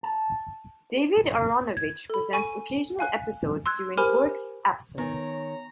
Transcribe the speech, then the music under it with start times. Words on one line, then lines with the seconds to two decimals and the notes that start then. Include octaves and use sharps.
David Aaronovitch presents occasional episodes during Buerk's absence.
0.03 A5
1.77 G#6
2.10 A4 B5
2.33 A4 G#5 C#6 D#7
2.99 F5 G#5 F#6
3.66 C6 E6 F#6 G#6
3.97 G4 A#4 C5 G#5 B5 F6
4.98 D#3 B3 C#5 G#5 A#5